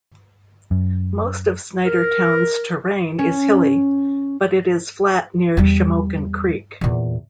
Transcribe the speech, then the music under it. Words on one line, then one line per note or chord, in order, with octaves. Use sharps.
Most of Snydertown's terrain is hilly, but it is flat near Shamokin Creek.
F#2
A#4
C#4
E2 G3
E2 A#2